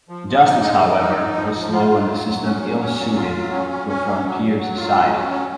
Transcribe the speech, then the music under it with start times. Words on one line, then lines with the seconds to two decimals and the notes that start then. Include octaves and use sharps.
Justice, however, was slow and the system ill-suited to a frontier society.
0.09 F3
0.28 F3
0.45 D#4
0.64 G#3
0.81 F3
1.00 D#4
1.18 D#4
1.36 F3
1.54 F3
1.72 F4
1.90 F#3
2.08 F#3
2.26 F#3
2.44 C#4
2.61 F#3
2.80 C#4
2.98 F#3
3.16 F4
3.34 F#3
3.52 C#4
3.69 C#4
3.88 C#4
4.06 F#3
4.24 F#3
4.42 F#3
4.59 F#3
4.77 F4
4.95 F#3
5.14 C#4
5.32 F#3